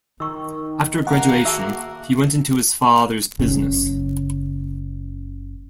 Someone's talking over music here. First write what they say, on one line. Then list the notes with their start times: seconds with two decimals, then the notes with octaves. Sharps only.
After graduation, he went into his father's business.
0.20 D#3 C#6 E6
1.07 A#3 D#4 F5 F#5
1.45 F#4 G#4 E5 A5 E6
3.39 F#1 C#3 C#4